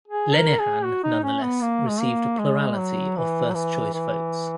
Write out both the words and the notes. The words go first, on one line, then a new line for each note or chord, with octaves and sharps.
Lenihan nonetheless received a plurality of first-choice votes.
G#4
A#4
G#4
F#4
D#4
C#4
B3
A#3
G#3
A#3
G#3
F#3
E3
F#3
E3
E3